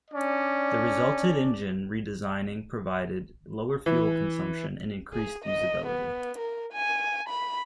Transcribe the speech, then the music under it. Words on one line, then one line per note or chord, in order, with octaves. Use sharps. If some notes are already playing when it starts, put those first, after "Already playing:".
The resulted engine redesigning provided lower fuel consumption and increased usability.
C#4 D4 D5
E3
G#4
D#5
B3
A#4
G#5
B5